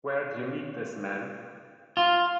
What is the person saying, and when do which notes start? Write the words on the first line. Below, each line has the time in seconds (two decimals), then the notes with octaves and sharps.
Where'd you meet this man?
1.97 F4